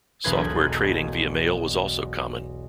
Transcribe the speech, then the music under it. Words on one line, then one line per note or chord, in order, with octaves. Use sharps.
Software trading via mail was also common.
E1 B1 B4 C6 G#6